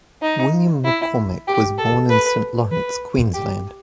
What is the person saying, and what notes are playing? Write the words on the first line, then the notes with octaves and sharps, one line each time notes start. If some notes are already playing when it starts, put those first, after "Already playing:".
William McCormack was born in Saint Lawrence, Queensland.
D#4
E4
G4
A4
B4
B4
G4